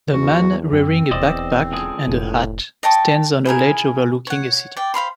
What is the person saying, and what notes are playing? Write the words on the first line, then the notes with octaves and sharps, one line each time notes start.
The man wearing a backpack and a hat, stands on a ledge overlooking a city.
E2 F#4
F#2 C4
D#1 E2 C5 D5 D#5
C#2 D3 G#4
F1 A2
D#5 G5 A5 C#6
E4 G#4 A#4 G#5
C#5 F#5
D5 G5
C5 F5 B5 C6